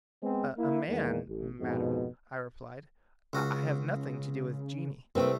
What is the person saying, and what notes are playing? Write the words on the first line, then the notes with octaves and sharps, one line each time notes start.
"A man, madam," I replied; "I have nothing to do with genii."
G#3 B3 C4
A#3 E4
E2 D#3 G#3 A#3
A1
F2 G#2 B2
C#2 C#3 F#4
C2 A3 A#3 C4 B4 G5